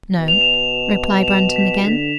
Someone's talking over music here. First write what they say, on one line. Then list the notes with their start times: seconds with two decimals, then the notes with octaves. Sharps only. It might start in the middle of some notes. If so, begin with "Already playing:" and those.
"No," replied Brandon again.
0.15 B2
0.28 F7
0.41 E7
0.54 F7
1.22 F7
1.28 E7
1.56 B6
1.84 D3 B6